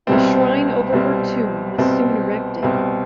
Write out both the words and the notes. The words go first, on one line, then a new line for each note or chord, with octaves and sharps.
A shrine over her tomb was soon erected.
C2 B2 G3 C4
C2 B2 G3 C4
C2 B2 G3 C4
C2 B2 G3 C4